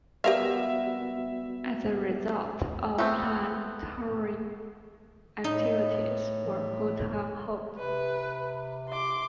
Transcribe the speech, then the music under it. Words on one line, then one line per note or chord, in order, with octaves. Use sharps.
As a result, all planned touring activities were put on hold.
G3 B3 F#4 G4 A#4 E5 F5
A3 B3 C4
A2 D#4
C3 B4
C6 D6